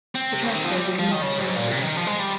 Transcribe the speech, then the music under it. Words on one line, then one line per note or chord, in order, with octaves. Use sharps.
The transfer was not granted.
C4
C3
C#3
D#3
F3
G3
F3
D#3
C#3
G#2
A#2
C3
C#3
D#3
F3
G#3
G3